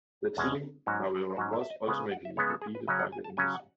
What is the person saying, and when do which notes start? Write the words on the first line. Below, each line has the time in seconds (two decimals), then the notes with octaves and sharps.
The team, however, was ultimately defeated by The Embassy.
0.37 E2 B2 G#3 C#4
0.86 G#2 F#3 C#4 F#4
1.37 G#2 F#3 C#4 F#4
1.53 E4
1.61 E5
1.70 D#5
1.87 C#3 G#3 B3 F#5
2.00 G#5
2.11 F#5
2.25 E5
2.37 C#3 G#3 B3 C#5
2.50 A4
2.62 G#4
2.75 B4
2.88 C#3 F#3 C#4 D#5
2.99 F#5
3.12 G#5
3.24 A5
3.37 C#3 F#3 C#4 G#5
3.54 F#5